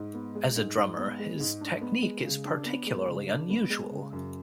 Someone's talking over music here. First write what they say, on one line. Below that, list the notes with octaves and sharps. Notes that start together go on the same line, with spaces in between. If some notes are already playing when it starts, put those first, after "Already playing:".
As a drummer, his technique is particularly unusual.
Already playing: G#2
B3
G#3
G#2
G#2
B3
G#3
G#2
D4
B3
G#3
C#3
D4
B3
G#3
C#3
D4
B3
G#3
C#3
F#2